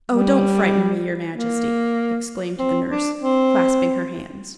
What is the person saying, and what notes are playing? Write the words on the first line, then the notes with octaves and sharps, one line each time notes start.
"Oh! don't frighten me, your Majesty!" exclaimed the nurse, clasping her hands.
G3
A#3
C4
D4
C4